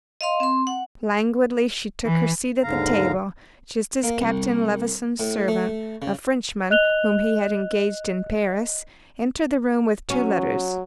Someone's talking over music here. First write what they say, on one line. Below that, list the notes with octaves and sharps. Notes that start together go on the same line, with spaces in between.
Languidly she took her seat at the table, just as Captain Levison's servant, a Frenchman whom he had engaged in Paris, entered the room with two letters.
D#5 F5 C6
C4 C6
F#5
E3
D#2 G#2 D3 F5 A#5
A#3
C2
A2
A3
C#3
D#5 F#6 F7 G7
F#3 C#4